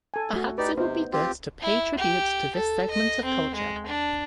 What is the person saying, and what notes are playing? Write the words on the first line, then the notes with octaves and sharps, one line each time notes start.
Perhaps it would be good to pay tribute to this segment of culture.
A4 G#5
A3 F#4
D#4 G4 B4 D5
C3 B3 D#4 C5
C4 F4 G4
E4
G4
A4
D#5
C4
G#3
D4